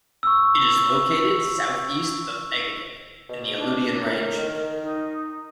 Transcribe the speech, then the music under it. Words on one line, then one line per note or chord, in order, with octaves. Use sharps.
It is located south-east of Egegik, in the Aleutian Range.
C#6 E6
B2
D4
A2 A#4
D#3
D#4